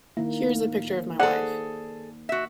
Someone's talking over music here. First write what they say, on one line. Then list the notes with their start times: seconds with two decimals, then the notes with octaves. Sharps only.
Here's the picture of my wife.
0.17 D#3 A#3 E4
1.20 G#4 A4 C5 D5 F#5
2.29 F#4 E5